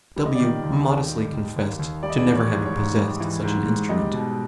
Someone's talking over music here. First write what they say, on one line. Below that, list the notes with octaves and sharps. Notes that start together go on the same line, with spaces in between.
W---- modestly confessed to never having possessed such an instrument.
G3
D#5
D5
D#3 D#5
D#2
D#2
G3
D#3
D#2
D#2
G3 D5
D#5
D5
E3
C#5
G#2
C#5
G#2
G3
E3
G#2
G#2
G3 D#5
B2